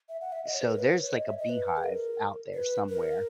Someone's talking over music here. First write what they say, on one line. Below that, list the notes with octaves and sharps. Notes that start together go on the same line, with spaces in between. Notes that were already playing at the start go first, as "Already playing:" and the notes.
So there's like a beehive out there somewhere
E5
F#5
E5
D#5
C#5
B4
A#4
B4
C#5
C#5
D#5
E5
D#5
B4
G#4
A#4
B4
A#4